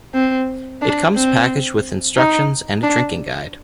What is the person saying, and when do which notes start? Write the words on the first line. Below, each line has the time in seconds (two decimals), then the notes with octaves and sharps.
It comes packaged with instructions and a drinking guide.
0.14 C4
0.82 D4
1.16 C4
2.17 D#4
2.83 D4